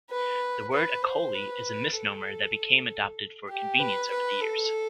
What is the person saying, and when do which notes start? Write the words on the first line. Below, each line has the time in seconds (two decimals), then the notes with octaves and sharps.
The word 'Acoli' is a misnomer that became adopted for convenience over the years.
0.10 B4
0.72 B4
1.02 C5
1.34 B4
1.95 A4
3.49 G4
3.79 B4
4.10 B4
4.41 A4